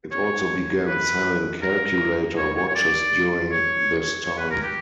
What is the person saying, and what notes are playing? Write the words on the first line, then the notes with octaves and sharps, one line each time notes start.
It also began selling calculator watches during this time.
C#5
B4
A#4
C#5
C#5
C#5
D5
C#5
C#5
B4
A#4
G4